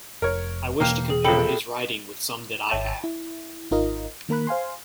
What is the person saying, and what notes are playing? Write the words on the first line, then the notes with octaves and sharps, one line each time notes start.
I wish to compare his writing with some that I have.
F1 A#4 C#5
E1 B2 E3 A#3 G5 F6
G#4
A#1 A4 G5 B5 C#7
G#1 C#5 E5 G5 A5
E4
G#1 D#4 F4 A#4 D#5
D#3 A#3 A#4 B5 F#6
C5 F5 G#5 C6